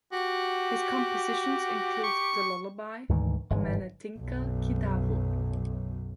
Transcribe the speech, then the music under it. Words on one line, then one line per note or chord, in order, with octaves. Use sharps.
His compositions include the lullaby "Omanathinkal Kidavo".
F#4 G4
C#6
D2 G#2 D#3 E3
G1 G#2 E3
B1 F#2